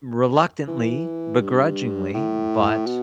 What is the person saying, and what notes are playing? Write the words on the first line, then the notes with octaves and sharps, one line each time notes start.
reluctantly, begrudgingly, but,
E3
G2
A2
B2